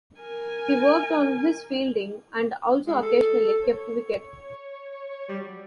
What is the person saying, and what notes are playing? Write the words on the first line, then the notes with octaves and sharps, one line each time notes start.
He worked on his fielding, and also occasionally kept wicket.
A#4 G#5
G#3
A4
C#5
G3
F#3